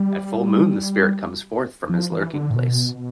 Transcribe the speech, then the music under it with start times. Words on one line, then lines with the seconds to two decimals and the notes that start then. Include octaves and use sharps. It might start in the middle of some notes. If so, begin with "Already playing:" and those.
At full moon the spirit comes forth from his lurking-place.
Already playing: G3
1.89 F3
2.12 E3
2.33 D3
2.50 A2
2.56 B2